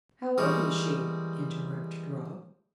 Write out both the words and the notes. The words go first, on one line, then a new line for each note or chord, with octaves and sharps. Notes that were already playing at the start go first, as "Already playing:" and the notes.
"How old is she?" interrupted Rob.
E2 G3 G#3 A#4 C#5